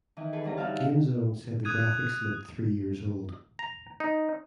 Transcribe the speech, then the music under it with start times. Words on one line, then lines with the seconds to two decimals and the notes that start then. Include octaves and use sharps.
Gamezone said the graphics looked three years old.
0.17 D#3 E3
0.33 G#4 A4 B4
0.44 D2 E3 G3 C#4 A#5
0.57 D#4 F#4 G4 E5 F5 A5
1.65 D#6 F#6 G#6 D#7
3.59 A#5
4.00 D#4